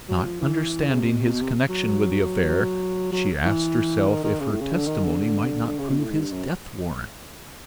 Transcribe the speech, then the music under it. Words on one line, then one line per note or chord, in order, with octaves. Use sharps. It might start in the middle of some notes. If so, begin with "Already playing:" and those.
Not understanding his connection with the affair, she asked herself if her testimony might not prove his death-warrant.
F#3
F3
E3
C#3
C3
B2
C3
B2
C3
F#3
F#3
F#3
E3
D#3
D#3
C#3
A2
C#3
D3
D#3
D3
D3
C#3
B2
A2
G#2
G2
F#2